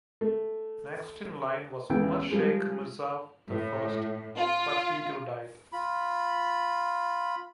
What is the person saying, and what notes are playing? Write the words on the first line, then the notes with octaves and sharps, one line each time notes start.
Next in line was Umar Shaikh Mirza I but he too died.
A3
C#2 A2 C#3 E3 B3 G5
F3 G3 G#3
A2
F4
F4 B5